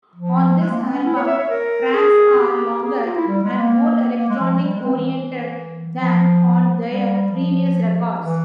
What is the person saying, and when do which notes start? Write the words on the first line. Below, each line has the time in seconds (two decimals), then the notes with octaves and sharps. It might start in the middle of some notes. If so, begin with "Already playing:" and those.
On this album, tracks are longer and more electronic-oriented than on their previous records.
0.15 F3
0.59 G#3
0.70 A#3
0.82 C4
0.93 C#4
1.05 E4
1.16 C#5
1.27 E5
1.38 C#5
1.50 A#4
1.94 G#4
2.39 G4
2.83 G#4
2.95 G4
3.06 F4
3.17 E4
3.28 G3
3.43 G#3
3.58 A#3
4.18 A#3
4.29 G#3
4.41 F3
4.51 F3
4.63 G3
4.74 G#3
4.84 C4
4.96 E3
5.97 F3
6.87 G3
7.31 F3
8.20 E3